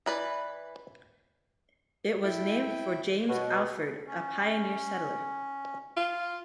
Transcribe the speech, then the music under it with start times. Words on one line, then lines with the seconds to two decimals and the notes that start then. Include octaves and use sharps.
It was named for James Alford, a pioneer settler.
0.06 E3 B4 D5
2.23 E4 G5
3.29 B2 C#5 F#5
4.07 C#4
5.97 F4